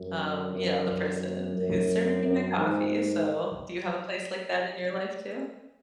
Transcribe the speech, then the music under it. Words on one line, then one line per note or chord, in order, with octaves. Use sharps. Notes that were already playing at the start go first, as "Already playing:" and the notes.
um, you know, the person who's serving me my coffee, so do you have a place like that in your life too?
Already playing: F#2
F#2
F#2
F#2
F#2
G#2